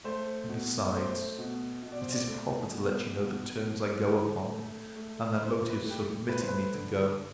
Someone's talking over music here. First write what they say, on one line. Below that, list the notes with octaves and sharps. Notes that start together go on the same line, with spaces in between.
And besides, it is proper to let you know the terms I go upon, and their motives for permitting me to go.
A3 C5
B2
A3 C5
B2
B2
D5
C5
D5
A3
B2
B2
A3
D3
A3
A3
D3 C5
B4
A3
G4
A4
A3 B4
C5
B4
D3